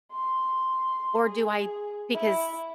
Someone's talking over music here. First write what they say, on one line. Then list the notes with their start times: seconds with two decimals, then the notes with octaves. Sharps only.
or do I because
0.12 C6
1.25 G#4
2.14 E4